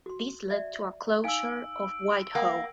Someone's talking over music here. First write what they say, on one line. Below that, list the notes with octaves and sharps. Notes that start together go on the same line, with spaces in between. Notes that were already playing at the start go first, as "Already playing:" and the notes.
This led to a closure of Whitehall.
F#4 C6
D5 E5
D#4 F5 G#5 E6 D7
A#3 F#5 G5